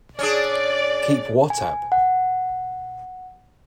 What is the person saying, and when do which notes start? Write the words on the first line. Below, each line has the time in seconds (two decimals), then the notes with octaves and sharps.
Keep what up?
0.19 C#4 D4 G#4 D5
1.50 G#5
1.92 F#5